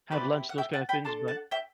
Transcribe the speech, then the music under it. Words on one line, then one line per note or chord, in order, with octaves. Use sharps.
Have lunch, those kinda things, but
C4 E4 G4 B4 D5
F#5
E5 G5
F#5 A5
G5 B5
D4 A4 A5 C6
F#5 A5
E5 G5